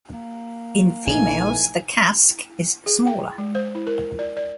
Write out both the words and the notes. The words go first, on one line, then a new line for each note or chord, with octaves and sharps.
In females, the casque is smaller.
A#3
A#1 C#3 E3 A3 D#4 G#5
G#4
G5
G#3
C5
E4
A#4
D5
D5